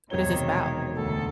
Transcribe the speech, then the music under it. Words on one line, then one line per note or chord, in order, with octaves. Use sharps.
what is this about?
E1 C3 D#3 F#3 C#5 G7
D2 A4